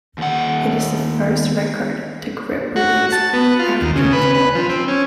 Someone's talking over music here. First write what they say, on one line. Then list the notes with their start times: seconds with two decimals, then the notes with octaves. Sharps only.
It is the first record the group released after he left.
0.18 D#2 F#5
2.76 F#4
3.12 A5
3.33 B3
3.59 F4
3.81 D#2
3.96 C#3
4.13 B4
4.34 B4
4.55 F3
4.69 C4
4.88 C#4